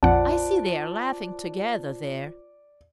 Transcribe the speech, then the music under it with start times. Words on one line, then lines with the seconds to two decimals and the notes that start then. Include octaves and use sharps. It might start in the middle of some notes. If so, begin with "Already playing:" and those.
I see they are laughing together there.
0.03 A#1 F2 F4 C5 D5 F#5 A5 F#6